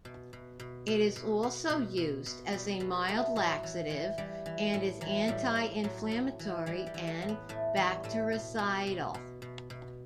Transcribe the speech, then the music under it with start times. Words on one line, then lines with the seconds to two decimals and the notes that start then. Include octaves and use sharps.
It is also used as a mild laxative and is anti-inflammatory and bactericidal.
0.05 B2
0.33 B2
0.60 B2
0.88 B2
1.16 B2
1.43 B2
1.70 B2
1.97 B2
2.26 B2
2.53 B2 G3
2.80 B2 B3
3.08 B2 A3
3.36 A2 F#3
3.63 E3
3.90 E3
4.18 E3 G3
4.46 E3
4.74 A2
5.01 E3 F#3
5.28 A2 G3
5.56 A2
5.84 A2 F#3
6.11 A2
6.39 E3
6.66 E3 G3
6.87 G3
6.94 E3
7.07 A3
7.22 A2
7.29 B3
7.49 A2 A3
7.77 E3 G3
8.04 A2 A3
8.32 B2
8.59 B2
8.87 B2
9.14 B2
9.42 B2
9.70 B2